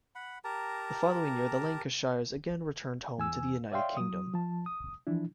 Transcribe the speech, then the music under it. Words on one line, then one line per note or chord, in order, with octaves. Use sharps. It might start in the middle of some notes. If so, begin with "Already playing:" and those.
The following year the Lancashires again returned home to the United Kingdom.
F#5 B5
G4 A#4 A5 A#5
E2 G#5 E6
C#5 D5 E5 F5 G5 C6
F#3 D#6
F3 A5
D#6
E3 F3 D4 E4